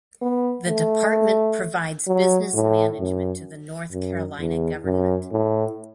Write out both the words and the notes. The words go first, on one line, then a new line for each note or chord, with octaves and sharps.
The department provides business management to the North Carolina government.
B3
A3
F#3
A2
F#2
F#2
E2
F#2
A2